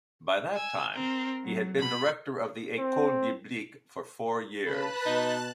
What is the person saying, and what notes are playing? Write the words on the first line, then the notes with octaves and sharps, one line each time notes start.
By that time he had been director of the Ecole Biblique for four years.
G#5 E6
C4 A#4
F#3
B2 B5
C4
C#3 B4 A5 B5 F#6
B2 D#4